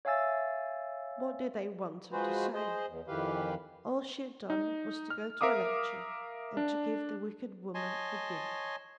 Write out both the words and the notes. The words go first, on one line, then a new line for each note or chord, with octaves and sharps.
What did they want her to say? All she had done was to go to a lecture, and to give the wicked woman a guinea.
C#5 E5 F5 G#5 E6 A6
F3 G#3 F#4 G#4 B4 C5
G#4 C5 D#5
E2
F2 D#3 E3 G4 B4 F5
D#4
F6
A#4 E5 F5 D6 D#6
D4
C#5 D#5 G#5 A5 C6